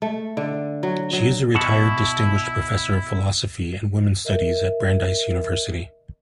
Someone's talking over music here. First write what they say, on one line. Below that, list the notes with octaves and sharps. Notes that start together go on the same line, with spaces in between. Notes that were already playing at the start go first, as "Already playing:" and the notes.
She is a retired distinguished professor of philosophy and women's studies at Brandeis University.
A3
D3
F#3
F#3
B2 E4 F#5 A5
A#4 D#5 E5